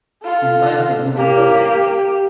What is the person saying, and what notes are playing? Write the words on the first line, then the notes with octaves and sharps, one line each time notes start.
He signed the group Warpaint.
F4 A4
A#3 G4